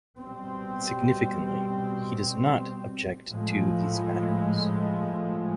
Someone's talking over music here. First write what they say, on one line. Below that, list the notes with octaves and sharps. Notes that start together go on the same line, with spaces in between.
Significantly, he does not object to these matters.
B2 G3 C4
A2 F3 G#3